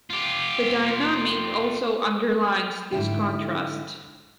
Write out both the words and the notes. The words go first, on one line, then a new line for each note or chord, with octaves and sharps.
The dynamic also underlines this contrast.
F4 G4
G#2 D3 E4 G5